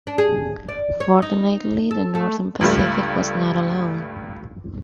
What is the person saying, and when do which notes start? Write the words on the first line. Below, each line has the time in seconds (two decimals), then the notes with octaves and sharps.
Fortunately, the Northern Pacific was not alone.
0.07 D4
0.18 G#4
0.69 D5
1.00 C#5
1.22 D#4
1.91 A4
2.15 A3
2.61 C#2 G2 G3 A3